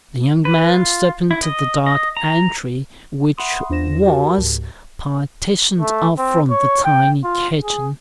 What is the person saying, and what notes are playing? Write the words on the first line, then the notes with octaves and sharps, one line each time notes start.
The young man stepped into the dark entry, which was partitioned off from the tiny kitchen.
B4
F4
E4
D#5
D#5
A#5
E5 F#5 B5 C6 D#6
E2 D4 F4 C5 A#6 E7
F#4 G4 A#4 A5
C#2 G#2
A3
C4
C#5
G5
F4
G#4